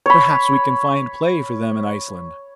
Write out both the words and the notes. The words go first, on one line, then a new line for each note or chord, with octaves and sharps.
"Perhaps we can find play for them in Iceland."
C#5 B5